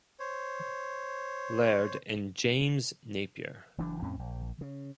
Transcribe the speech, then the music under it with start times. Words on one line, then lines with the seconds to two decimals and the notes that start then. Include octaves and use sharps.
Laird and James Napier.
0.19 C5 C#5
3.78 F#1 F#2 E3 D4
4.02 F2 A2 C4 C#4
4.19 A#1
4.61 C#3